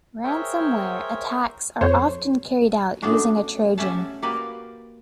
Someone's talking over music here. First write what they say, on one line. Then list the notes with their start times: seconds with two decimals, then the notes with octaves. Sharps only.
Ransomware attacks are often carried out using a Trojan.
0.24 G#4 A#4 C5 C#5 E5 G5
1.81 F2 C5 C#5
3.02 A3 B3 C#4 D4 F#4
3.78 C#4 G4 E5 F#5 A5
4.22 A#3 F#4 G4 B4 D5